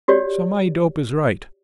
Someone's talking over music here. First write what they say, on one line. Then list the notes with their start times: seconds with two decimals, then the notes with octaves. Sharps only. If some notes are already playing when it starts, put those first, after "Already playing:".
So my dope is right.
0.08 F#4 G4 C#5 D5